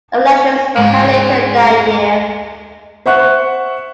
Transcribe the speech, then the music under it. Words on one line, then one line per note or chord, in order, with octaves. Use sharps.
Elections were held later that year.
G#2 G#3 C#5
C5 E5 F#5 C#6 F#6